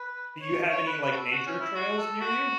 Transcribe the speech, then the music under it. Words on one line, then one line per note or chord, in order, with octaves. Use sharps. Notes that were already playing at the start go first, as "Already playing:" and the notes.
Do you have any, like, nature trails near you?
Already playing: B4
C#5
C#5
B4
B4
F#4
A4
F#4
C#4
E4
F#4
A4
F#4